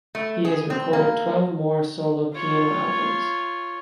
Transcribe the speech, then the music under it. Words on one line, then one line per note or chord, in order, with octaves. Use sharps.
He has recorded twelve more solo piano albums.
A3
G#4
C4
A#3
F4 C#5